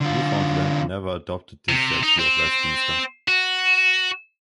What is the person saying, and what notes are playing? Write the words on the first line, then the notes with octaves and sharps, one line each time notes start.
Newfoundland never adopted the Statute of Westminster.
D3 F4
C3
D#4
C4
F#4